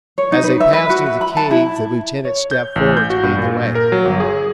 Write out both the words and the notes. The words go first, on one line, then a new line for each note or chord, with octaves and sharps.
As they passed into the cave the lieutenant stepped forward to lead the way.
C#5
D#4
B4
E5
B4
F#4
E5
B5
A5
E4
C#5
G6
A1
G6
F#4
G2
A#2
A#4
F#3
G1
G#4